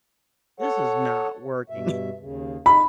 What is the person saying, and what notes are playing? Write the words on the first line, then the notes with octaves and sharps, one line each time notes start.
this is not working."
A4 C#5 F#5
G2 B2 E5
D#2 C#3
D#4 B5